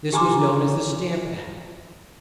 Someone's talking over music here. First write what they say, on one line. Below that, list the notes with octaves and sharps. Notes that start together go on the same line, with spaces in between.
This was known as the Stamp Act.
G4 G#5 A#5 C6 D6